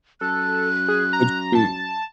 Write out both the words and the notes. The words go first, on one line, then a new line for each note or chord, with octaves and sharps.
Would you
F#2 A4 F#6
G#4
A#5
A5